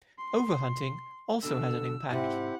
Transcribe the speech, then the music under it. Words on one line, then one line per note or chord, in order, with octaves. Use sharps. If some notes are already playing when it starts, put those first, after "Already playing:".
Overhunting also has an impact.
C6
C#2 B2 D3 A4 E6
G#2 C3 C4 E4 G4 E5 F#5